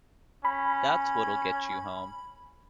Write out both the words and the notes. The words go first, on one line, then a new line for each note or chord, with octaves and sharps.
That's what'll get you home.
C#4 B5